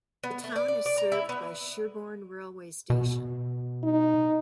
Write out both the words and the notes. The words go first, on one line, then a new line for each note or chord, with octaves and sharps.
The town is served by Sherborne railway station.
B3
A3
D5
D5
D5
A#5
E4
B3
B2
D#4